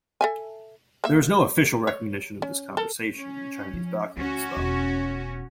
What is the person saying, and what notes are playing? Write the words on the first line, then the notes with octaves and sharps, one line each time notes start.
There is no official recognition of this conversation in Chinese documents, though.
A4 E5 G#5
A#3 E5
C#5
C#4
A4 A#4
C#4
F3
D2 C#4 F#4
E1